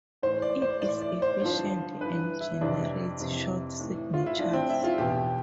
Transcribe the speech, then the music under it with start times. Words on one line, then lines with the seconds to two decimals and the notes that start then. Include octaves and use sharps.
It is efficient and generates short signatures.
0.22 A2 E3 C5
0.42 D5
0.62 C5
0.82 A2 E3 D5
1.01 D5
1.22 C5
1.41 G2 D3 F3 C5
2.01 G2 B4
2.06 E3
2.41 E4
2.61 F2 C3 E3 D4
3.20 F2 C3 E3
3.80 A2 E3
4.14 F4
4.26 E4
4.39 A2 F3 D4
4.53 C4
4.70 E4
4.84 F4
4.98 E2 B2 G4